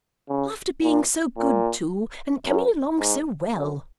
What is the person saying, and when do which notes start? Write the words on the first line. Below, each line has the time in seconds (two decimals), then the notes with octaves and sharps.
'After being so good too, and coming along so well!
0.29 C#3
0.83 A#2
1.37 A#2
2.46 F#2
2.99 G#2
3.54 F#2